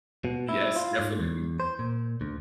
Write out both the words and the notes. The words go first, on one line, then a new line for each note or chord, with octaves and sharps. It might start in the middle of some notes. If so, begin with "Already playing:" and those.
Yes, definitely.
B2
E4
F4
G#2
E2
C5
A#2
D2